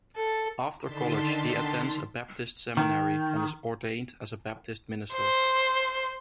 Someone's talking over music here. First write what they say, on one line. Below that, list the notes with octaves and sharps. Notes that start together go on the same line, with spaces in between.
After college, he attends a Baptist seminary and is ordained as a Baptist minister.
A4
D3 D#3 A5 C6 B6
D#3
C5